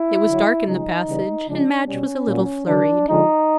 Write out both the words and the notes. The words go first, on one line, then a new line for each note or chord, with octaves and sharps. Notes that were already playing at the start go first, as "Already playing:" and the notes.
It was dark in the passage, and Madge was a little flurried.
Already playing: E4
D3 F#3
C#3 F3 G#3 D#4
C#3 E3 G3
C#3 F3 G#3 D4
B2 G3 C#4
A#2 F#3
D3 F#3 D4
D3 F3 G#3 D#4